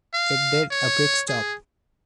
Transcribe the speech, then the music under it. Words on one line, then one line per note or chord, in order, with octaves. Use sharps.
It did a quick stop.
F5
C#5
G#4